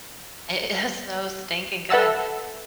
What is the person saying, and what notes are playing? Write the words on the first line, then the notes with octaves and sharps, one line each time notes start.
It is so stinking good.
A4 B4 E5 F#5 A5 E6